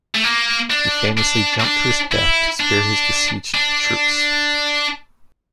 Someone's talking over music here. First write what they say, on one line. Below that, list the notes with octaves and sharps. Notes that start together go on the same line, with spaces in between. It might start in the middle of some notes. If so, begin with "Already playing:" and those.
He famously jumped to his death to spare his besieged troops.
A3
A#3
D4
D4
C4
D4
E4
D4
D4